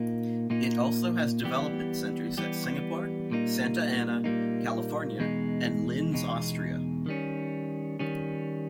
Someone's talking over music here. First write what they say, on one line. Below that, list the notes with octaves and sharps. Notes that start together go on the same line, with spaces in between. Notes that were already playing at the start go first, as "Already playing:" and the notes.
It also has development centers at Singapore, Santa Ana, California, and Linz, Austria.
Already playing: A#2 A#3 D#4
A#2 A#3 D#4
E3 G3 B3 G4
E3 G3 B3 G4
A#2 G3 A#3 D#4
A#2 G3 A#3 D#4
E2 B2 G#3 D#4
E2 B2 G#3 D#4
D#3 G3 C#4
D#3 G3 C#4